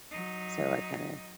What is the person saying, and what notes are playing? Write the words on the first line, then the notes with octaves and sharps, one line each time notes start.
So I kinda
F#3 D#4